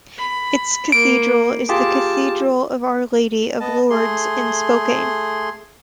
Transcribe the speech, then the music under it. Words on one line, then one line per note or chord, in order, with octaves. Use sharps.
Its cathedral is the Cathedral of Our Lady of Lourdes in Spokane.
B5
A#3 D7
F4 G4 G#4 A5
B3 D#5 A5
A3 G#4 C6